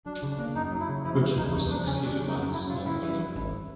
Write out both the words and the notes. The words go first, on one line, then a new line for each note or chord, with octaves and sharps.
Richard was succeeded by his son William.
F#3 D4
C#3
D4
A#3
F#2 D#4
F#3
E4
C#3
F3 E4
C#3 E4
E2 D#4
E2 D#4
F3 D4
C#3 C#4
F#3 D4
C#3
D#4
F#2
F#2 E4
F#3 F4
C#3 E4
E3
G2
G#1